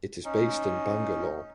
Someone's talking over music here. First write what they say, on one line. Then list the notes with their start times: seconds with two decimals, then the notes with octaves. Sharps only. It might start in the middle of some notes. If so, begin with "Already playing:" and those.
It is based in Bangalore.
0.25 C#4 D#4